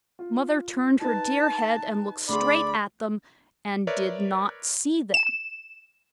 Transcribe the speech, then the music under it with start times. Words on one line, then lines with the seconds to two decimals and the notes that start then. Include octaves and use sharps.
Mother turned her dear head and looked straight at them, and DID NOT SEE THEM!
0.19 F4
1.01 D#4 B4 A5
2.29 D2 G#4 D5 B5 C6
3.87 A#4 B4 C#5 D5 E5
5.14 E7